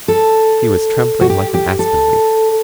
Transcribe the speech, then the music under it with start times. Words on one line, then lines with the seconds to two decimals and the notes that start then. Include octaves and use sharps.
He was trembling like an aspen leaf.
0.08 A4
1.21 F#4
1.30 G4
1.54 G4
1.79 A4